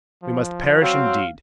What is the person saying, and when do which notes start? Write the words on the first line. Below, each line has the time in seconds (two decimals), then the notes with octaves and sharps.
We must perish indeed.
0.23 F3
0.81 F#3 C4 F5